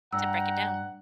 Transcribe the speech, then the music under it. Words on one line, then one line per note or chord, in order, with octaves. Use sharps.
To break it down.
G2 F#5 G5 A#5 E6